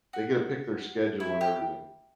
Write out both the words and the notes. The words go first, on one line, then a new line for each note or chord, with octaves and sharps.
they get to pick their schedule and everything.
F#4
E4
G4